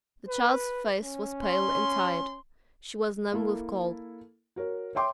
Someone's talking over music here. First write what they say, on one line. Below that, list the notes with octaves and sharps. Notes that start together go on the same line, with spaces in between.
The child's face was pale and tired, she was numb with cold.
B4
C#4
C6
A#3 E4 A4
F#4 A#4 C#5
C#5 E5 G5 C6 D6